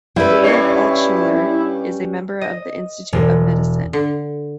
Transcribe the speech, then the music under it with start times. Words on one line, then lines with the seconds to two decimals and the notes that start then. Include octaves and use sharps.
David Altshuler is a member of the Institute of Medicine.
0.16 G3 C#4 E4 B4
0.43 G2 D4 C#5
2.41 D#5
3.13 E1
3.93 D3